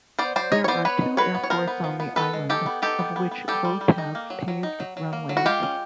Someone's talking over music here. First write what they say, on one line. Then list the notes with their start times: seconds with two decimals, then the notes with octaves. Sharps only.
There are two airports on the island, of which both have paved runways.
0.19 B3 C5 D5
0.36 F#3 C5 D5
0.52 D#4 C#5 D#5
0.64 C#5
0.68 B3 C5 D5
0.85 B3 B4 C#5
1.01 D#4
1.17 F#3 B4 C#5
1.34 B3
1.44 C#5
1.50 B3 A#4 C5
1.68 B3
1.84 F3
2.00 B3
2.16 B3 A4 B4
2.33 G#3
2.49 D#4 G4 A4
2.66 B3
2.82 D#4 G4 A4
2.99 B3
3.16 B3
3.31 B3
3.48 G3 G4 A4
3.65 G3
3.81 G3
3.98 D#4
4.15 A#3
4.30 F#3
4.48 F#3
4.63 D#4
4.80 F#3
4.97 F#3
5.13 A#3
5.29 F#3
5.37 F#4
5.46 G#3 F4 G4
5.63 C#4